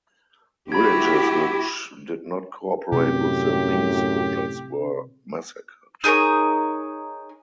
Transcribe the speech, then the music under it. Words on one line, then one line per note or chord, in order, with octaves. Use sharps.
Villages which did not cooperate with the Ming soldiers were massacred.
E4 F#4 G4 B5 G#6
F#2 A2 C3 G4
D#4 G#4 A#4 C#5